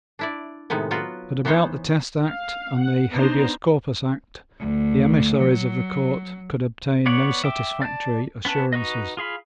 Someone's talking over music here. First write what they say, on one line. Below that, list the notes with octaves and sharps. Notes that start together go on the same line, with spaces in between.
But about the Test Act and the Habeas Corpus Act the emissaries of the Court could obtain no satisfactory assurances.
D4 E4 D5
A2 C3 D#3 G#3 B3
F#3 B3 F4 F#4
E3 B3 D#4 C5 C#5
F5
F#5
B3 D4 D#4 C5 A#5
D2
F#3
B3 C#5 D5 F#5
E5 G5 D6
D5 A5
B3 C#4 B4 A5
D#4 F#4 B4 D#5
F4 G#4 F5 B5